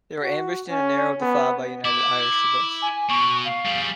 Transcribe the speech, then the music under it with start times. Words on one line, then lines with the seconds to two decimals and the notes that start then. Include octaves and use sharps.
They were ambushed in a narrow defile by United Irish rebels.
0.23 F#4
0.69 C#4
1.21 B3
1.85 E4 D6
2.82 G#5
3.09 B2 C#6
3.45 F5
3.65 G3 G#4